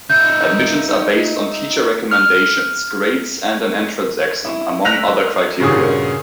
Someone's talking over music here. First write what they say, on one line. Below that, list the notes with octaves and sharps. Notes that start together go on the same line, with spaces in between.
Admissions are based on teacher recommendations, grades and an entrance exam, among other criteria.
D#4 E5 G6
F6
E4
E6 F#6 A#6 B6 F7
G2 A#2 C#3 F#4 G#4 D#6